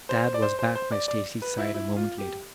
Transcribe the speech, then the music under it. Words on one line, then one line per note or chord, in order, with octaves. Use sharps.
Tad was back by Stacy's side a moment later.
C5
D5
C5
C5
C5
D5
D5
B4
E4
E4
F4
G4